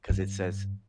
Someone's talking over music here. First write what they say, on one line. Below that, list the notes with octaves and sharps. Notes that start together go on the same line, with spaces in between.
'cause it says,
G2